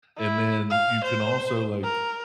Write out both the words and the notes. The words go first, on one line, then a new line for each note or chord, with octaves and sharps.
and then you can also, like,
E4
F5
C5
A#4